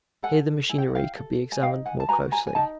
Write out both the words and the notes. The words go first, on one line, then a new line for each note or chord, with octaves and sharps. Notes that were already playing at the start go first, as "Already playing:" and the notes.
Here the machinery could be examined more closely.
A4 F#5 G#5
E4 G#5
G5
F#5
F5 G5
A4
G#5
D#4 F5 G5
F#5 G#5
A5
F#4 B4 G#5 A#5
G#5 A#5
G#5
D#4 G5 A5